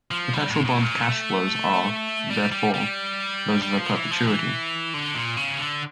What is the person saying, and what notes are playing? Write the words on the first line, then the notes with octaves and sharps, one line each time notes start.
Perpetual bond cash flows are, therefore, those of a perpetuity.
F3
G3
A2
A2
A#2
A3
G3
G3
G3
G3
F3
E3
F3
E3
D3
A#2
C#3
D3